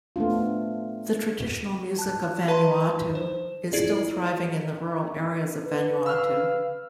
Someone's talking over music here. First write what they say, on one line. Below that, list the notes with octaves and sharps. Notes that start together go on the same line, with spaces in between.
The traditional music of Vanuatu is still thriving in the rural areas of Vanuatu.
A3 B3 D4 F4
A5 F#6
B4 A5 B5 C6
C5
E4 F4 G#4 D5
B4
F5 E6 F6